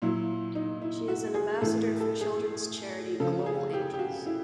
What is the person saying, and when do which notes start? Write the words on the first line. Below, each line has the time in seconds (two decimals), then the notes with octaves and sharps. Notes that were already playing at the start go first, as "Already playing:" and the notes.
She is an ambassador for children's charity Global Angels.
0.02 A#2 F#3 E4
0.55 D#4
0.81 E4
1.08 F#4
1.34 G#4
1.61 A2 E3 A4
2.00 A4
2.21 G#4
3.20 C#3 A4
3.23 F3
3.46 G#4
3.73 G4
3.94 G4
3.99 F#4
4.26 E4